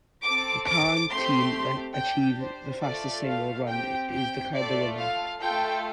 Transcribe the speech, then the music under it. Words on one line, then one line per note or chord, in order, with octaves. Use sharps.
The car and team that achieve the fastest single run is declared the winner.
C4 A4 D6
D6
A3 C4 G4 C6
D4 G4 G5
C5
A3 F4 A4 D5
F5
C4 G4 G5
G5
A3 F4 A4 D5
F5
A3 F4 A4 G5